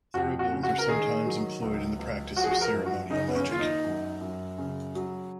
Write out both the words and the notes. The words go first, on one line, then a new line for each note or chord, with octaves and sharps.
Thuribles are sometimes employed in the practice of ceremonial magic.
F2 F#4
F#4
C#3
F#4
A#4
D#3 G#4
F#3
C#2
C#2
F3 F#4
G#4
F#4
A#4
F#2
F#4
C#3 D#4
B3
C#4
D#2 F4
D#4
F#2
F#2
C#3
F#3